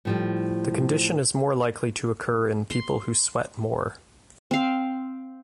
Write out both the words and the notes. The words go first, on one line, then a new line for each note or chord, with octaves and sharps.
The condition is more likely to occur in people who sweat more.
A2 F3 G3
C6
C4 F5